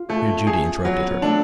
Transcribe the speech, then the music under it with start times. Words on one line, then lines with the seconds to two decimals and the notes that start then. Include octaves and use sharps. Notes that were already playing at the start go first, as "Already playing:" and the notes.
Here Judy interrupted her.
Already playing: F4
0.09 A3 C#4
0.47 G#4
0.84 F#3 B3
1.22 A3 D4